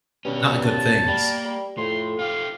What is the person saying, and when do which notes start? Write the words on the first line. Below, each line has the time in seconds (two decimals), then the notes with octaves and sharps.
not good things,
0.25 G2 B2 C#4
0.62 A5
1.08 G3 A#3
1.45 G3
1.77 F2 A2 C6
2.19 F4 G4 F5